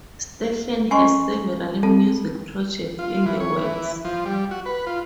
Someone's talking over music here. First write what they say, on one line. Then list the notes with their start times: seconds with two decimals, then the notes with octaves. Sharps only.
Stephen has several music projects in the works.
0.91 C#4 D#5 G#5 C6 C#6
1.83 C4 A4 A5
2.99 F4
3.26 E3
3.40 C#5
3.57 E3
4.05 F3
4.25 G3
4.51 F#4
4.66 B4
4.87 F4